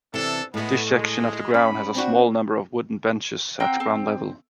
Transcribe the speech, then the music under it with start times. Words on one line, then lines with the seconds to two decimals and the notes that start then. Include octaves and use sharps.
This section of the ground has a small number of wooden benches at ground-level.
0.14 C3 E3 D4 A4
0.54 A2 G#3 A3 B3
0.87 G#3
1.54 C#4 B5
1.95 C4 D4 F#4
3.60 C4 F#5 G5 A#5
3.80 C4